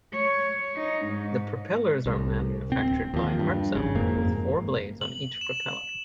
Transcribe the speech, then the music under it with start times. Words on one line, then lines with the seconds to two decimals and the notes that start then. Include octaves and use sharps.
The propellers are manufactured by Hartzell, with four blades on each propeller.
0.13 C#5
0.76 D#4
1.06 G#2
2.06 C2
2.70 D1 C4
3.14 D#2 F3
3.39 G2
3.75 G#1 C#3
3.95 F#1 F2 G#2 A#3
5.01 F#7
5.41 E7